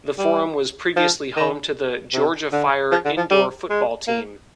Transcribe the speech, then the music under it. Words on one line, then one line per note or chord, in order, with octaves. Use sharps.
The Forum was previously home to the Georgia Fire indoor football team.
G3
F3
D#3
C3
D3
F3
D3
F3
G3
G#3
A#3